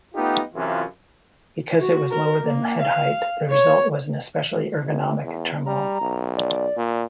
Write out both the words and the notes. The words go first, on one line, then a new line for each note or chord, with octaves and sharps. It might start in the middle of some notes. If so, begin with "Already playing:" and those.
Because it was lower than head height, the result was an especially ergonomic terminal.
A3 B3 D#4 F4 G4
F#2 C3 E3 F4
F#4
A#4
A#3
F5
C#5
G#1
E2
G3 A#5
B1
D5
A#2